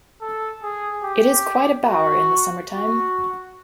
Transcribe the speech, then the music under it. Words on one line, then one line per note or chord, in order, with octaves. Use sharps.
It is quite a bower in the summer-time.
A4
G#4
G4
F#4
F#4